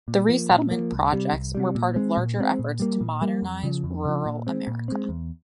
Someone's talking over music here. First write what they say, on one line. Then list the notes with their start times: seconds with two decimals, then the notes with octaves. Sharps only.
The resettlement projects were part of larger efforts to modernize rural America.
0.08 A#2
0.28 F3 A#3
0.50 A#2
0.71 F3 A#3
0.92 C2
1.12 C3 G3
1.33 C2
1.55 C3 G3
1.75 A#2
1.96 G#3 C4
2.17 A#2
2.38 G#3 C4
2.59 A#2
2.80 G3 A#3
3.01 A#2
3.22 G3 A#3
3.42 F2
3.63 C#3 F3
3.84 F2
4.05 C#3 F3
4.26 A#2
4.47 G#3 C4
4.67 A#2
4.88 G#3 C4
5.09 E2